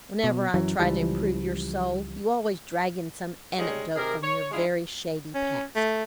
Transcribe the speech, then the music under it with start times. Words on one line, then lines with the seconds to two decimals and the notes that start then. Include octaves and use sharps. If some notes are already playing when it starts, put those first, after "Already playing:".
Whenever I try to improve your soul, you always drag in some anecdote from your very shady past.
0.24 B2
0.54 F#2 E3 F#3
0.80 C#2 E3 F3 G3
3.57 G3 G#3 C#4 D#4 G4 G#4
3.96 C3 D#3 G4 G#4 A#4
4.22 C#5
4.51 G#3 D4 E4 F4 G#4
5.35 C#4
5.76 A3